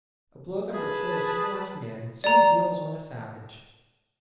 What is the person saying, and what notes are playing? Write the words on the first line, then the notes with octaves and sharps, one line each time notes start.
A blow that would kill a civilized man soon heals on a savage.
G#4 B4 A5
D5 A#5